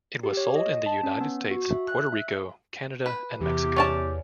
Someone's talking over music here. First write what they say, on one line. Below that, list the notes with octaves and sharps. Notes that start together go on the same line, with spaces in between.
It was sold in the United States, Puerto Rico, Canada and Mexico.
G4
C#5
D#5
A5
C#4
B3
F#4
E5
F#6
E5
B4
E2 C3 G4
C#4 D5 A5